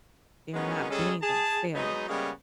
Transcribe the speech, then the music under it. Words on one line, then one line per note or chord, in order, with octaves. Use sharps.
they're not being themselves,
D#3 F#3 G#3 B3 C#4
C#3 G3 G#3 C#4 G#4 A4
G#4 A5
F#3 G#3 B3 D#4
C#3 G3 G#3 A#3 B3 C#4